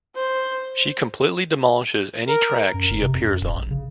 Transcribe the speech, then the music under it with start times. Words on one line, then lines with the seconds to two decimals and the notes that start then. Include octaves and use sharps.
She completely demolishes any track she appears on.
0.16 C5
2.27 A#4
2.74 F#2
2.90 F#1
3.02 C3
3.14 F2
3.27 F#2
3.41 D#1
3.56 A#1
3.70 C#3